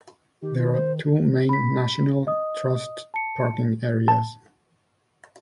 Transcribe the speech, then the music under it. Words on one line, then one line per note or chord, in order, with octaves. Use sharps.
There are two main National Trust parking areas.
D#3 G4
F4
C5
B5 B6
D#5 D#6
A5 C#7
A5